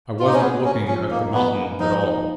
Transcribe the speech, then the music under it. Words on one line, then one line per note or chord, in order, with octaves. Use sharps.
I wasn't looking at the mountain at all.
F4
D#4
C#4
B3 G#4
A#3 C#4
F3 C#4
A#3 D#4
B3 G#4
A#3
F3 D#4
D#4